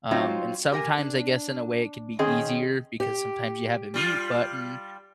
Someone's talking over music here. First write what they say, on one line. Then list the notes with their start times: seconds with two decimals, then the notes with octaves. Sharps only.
um, and sometimes, I guess, in a way, it could be easier because sometimes you have a mute button
0.11 F#3 C4 D#4 F4
0.72 G4 A#4 G5 G#5
0.98 D4
2.19 D#3 C4 C#4 G#4 D#5
3.00 G4
3.94 G3 F4